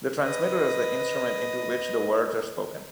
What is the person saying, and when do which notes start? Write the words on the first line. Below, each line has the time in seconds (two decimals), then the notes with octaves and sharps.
The transmitter is the instrument into which the words are spoken.
0.23 B4 D#5